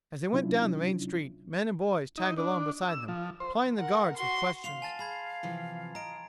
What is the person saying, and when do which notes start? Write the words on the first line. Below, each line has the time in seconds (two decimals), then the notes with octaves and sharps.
As they went down the main street, men and boys tagged along beside them, plying the guards with questions.
0.33 C3 F#3 C#4 D4 E4 F4
2.18 D#4
2.38 D4
2.88 E6
3.08 F3
3.40 C5
3.79 A#4 F#5
4.17 F#4 C6
4.64 D#2 F5 C6 C7 F7
4.82 G#5 A5 A6
4.99 G#4 G#5 B5 G#6
5.43 C3 E3 F3
5.95 D#5 A#5 D7